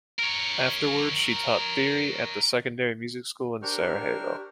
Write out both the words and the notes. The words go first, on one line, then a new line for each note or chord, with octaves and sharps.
Afterwards, she taught theory at the secondary music school in Sarajevo.
A#4 C#5
D4 G4 A#4 C5 C#6 F6